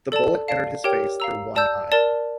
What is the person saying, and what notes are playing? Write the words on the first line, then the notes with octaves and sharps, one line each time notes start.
The bullet entered his face through one eye.
A4 D5 A5
D5 F5 A5
G4 A#4 C#5 G5
F5 A#5 E6
D5 A5 E6 G6
A#4 D5 A5